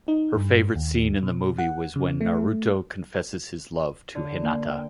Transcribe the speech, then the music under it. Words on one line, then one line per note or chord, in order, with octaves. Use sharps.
Her favorite scene in the movie was when Naruto confesses his love to Hinata.
D#4
G2
D#2
B2
F#5
C#3
A3
D3
A#3
G5